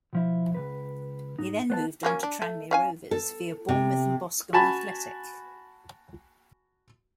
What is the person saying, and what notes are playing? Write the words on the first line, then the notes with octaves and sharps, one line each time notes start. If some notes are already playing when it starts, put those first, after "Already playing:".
He then moved on to Tranmere Rovers via Bournemouth and Boscombe Athletic.
B2 F3 E4
C#2 A#2 B4
G#2 D#4
B3 C5 A5
F#3 A#3 C#4
D4
A3
C#4 F5 G#5
A4
C3
F#4 G#5 A5 B5